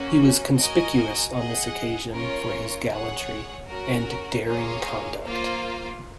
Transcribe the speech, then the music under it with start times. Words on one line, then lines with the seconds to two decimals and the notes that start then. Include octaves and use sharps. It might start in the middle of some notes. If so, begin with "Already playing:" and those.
He was conspicuous on this occasion for his gallantry, and daring conduct.
Already playing: A#3 C#4 F#4
0.57 F#4 A#4 D#5 G#5
1.34 G#4 D#5 F#5
2.12 C#4 F4 A#4 C#5
2.90 G#4 C#5 F#5
3.68 C#4 F#4 A#4
4.45 A#3 F4 G#4 C#5 F5
5.23 A#3 F4 C5 F5